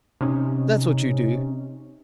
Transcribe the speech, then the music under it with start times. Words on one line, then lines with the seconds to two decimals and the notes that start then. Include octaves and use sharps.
'That's what you do.
0.21 C3 C#4 D#4